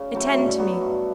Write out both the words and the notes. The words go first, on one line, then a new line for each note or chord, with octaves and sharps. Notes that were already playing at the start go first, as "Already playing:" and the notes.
"Attend to me."
Already playing: C#3 C#4
F#3 A3 E4
G2
F#3 B3
G2